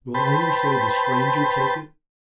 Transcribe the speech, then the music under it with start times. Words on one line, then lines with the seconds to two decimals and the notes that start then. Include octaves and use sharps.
Will any save a stranger take it?
0.14 B4 C5 G5 A5 B5